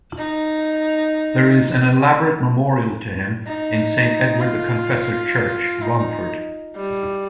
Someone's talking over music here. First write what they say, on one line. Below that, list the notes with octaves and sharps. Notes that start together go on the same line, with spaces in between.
There is an elaborate memorial to him in Saint Edward the Confessor Church, Romford.
D#4
D#4
F4
D#4
G3